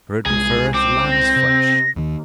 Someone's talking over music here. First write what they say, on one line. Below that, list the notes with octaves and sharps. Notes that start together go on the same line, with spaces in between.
For it preferreth lamb's flesh.
C2 G#3 G#4
C4 D6
A#6
C3
D#2 D#3